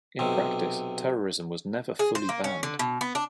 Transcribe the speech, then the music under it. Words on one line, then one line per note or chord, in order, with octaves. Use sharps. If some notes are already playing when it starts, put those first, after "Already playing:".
In practice, terrorism was never fully banned.
B1 C3
G#4
C5
A#3
C#4
D3
B2
B3
D4